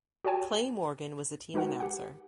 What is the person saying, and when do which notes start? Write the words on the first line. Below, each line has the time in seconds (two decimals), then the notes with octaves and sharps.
Clay Morgan was the team announcer.
0.24 F#4 G4 C#5 G5 G#5
1.54 G#3 D#4 F#4 A#4 B4 F#5
1.80 G4 F#5